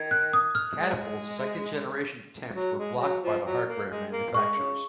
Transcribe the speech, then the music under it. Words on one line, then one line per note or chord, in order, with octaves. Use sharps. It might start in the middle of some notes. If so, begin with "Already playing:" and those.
Catapult's second generation attempts were blocked by the hardware manufacturers.
Already playing: D#3 G#6
F#6
D#6
F6
G#3
F#3
G#3
F#3
F3
F#3
A#3
G#3
A#3
G#3 C#6
C#3